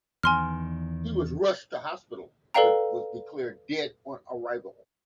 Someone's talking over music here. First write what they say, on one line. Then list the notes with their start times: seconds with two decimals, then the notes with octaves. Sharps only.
He was rushed to hospital but was declared dead on arrival.
0.23 E2 D#3 G#5 C6 F6
2.54 A4 B4 D5 F5 G5 A#5